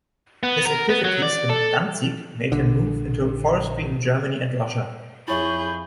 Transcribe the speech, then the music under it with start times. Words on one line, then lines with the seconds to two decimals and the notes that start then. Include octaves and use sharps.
His activities in Danzig made him move into forestry in Germany and Russia.
0.43 B3
0.65 A#4
0.89 B3
1.04 F#3
1.22 D5
1.50 A4
2.52 A#1 D3
5.28 F2 E4 G#4 C#5 E5 B5 C#6 G6